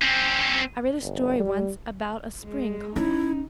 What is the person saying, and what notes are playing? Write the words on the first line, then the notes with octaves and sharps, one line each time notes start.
I read a story once about a spring called that.
C4 C#4
G1
G3
G#3
C#4 D#4 E4